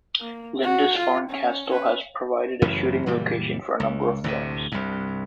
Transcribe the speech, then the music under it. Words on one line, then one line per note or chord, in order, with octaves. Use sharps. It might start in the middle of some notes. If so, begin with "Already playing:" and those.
Lindisfarne Castle has provided a shooting location for a number of films.
A#3
F#4
F4
C#4
C#4 B4
A1 F#2 C#3 E3
F#1 A#2 E3 G3
C#2
D2 A2 C3
C2 G2